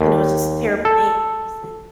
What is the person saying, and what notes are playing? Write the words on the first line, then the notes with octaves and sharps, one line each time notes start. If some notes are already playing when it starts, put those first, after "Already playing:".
you know, it's just a terrible day because then
D#2
A4